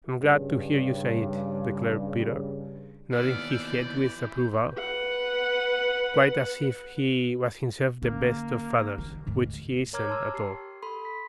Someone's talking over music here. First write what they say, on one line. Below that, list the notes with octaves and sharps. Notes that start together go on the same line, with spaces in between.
"I'm glad to hear you say it," declared Peter, nodding his head with approval quite as if he was himself the best of fathers, which he isn't at all.
G2 C#3
D#2 B2 E3 B3 D5 F6
G6
B4 F#5
D3 A#3 C#4
D#3
D2 G#2
A#4 C#5 A#5 D6 F6 G#6
A5 C6 E6
G4 C7
A4 B5 C6
B6